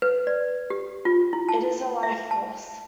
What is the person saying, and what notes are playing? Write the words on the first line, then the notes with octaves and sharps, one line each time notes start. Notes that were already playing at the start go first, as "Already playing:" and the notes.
It is a life force.
B4
D5
G4
F4
E4
A5
E5
A5